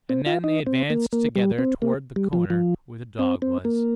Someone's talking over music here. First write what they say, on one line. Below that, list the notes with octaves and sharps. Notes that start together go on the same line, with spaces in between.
And then they advanced together towards the corner where the dog was.
C4
F4
D#4
C4
A#3
A#3
G3
C4
A#3
G3
F3
F3
C4
C4
A#3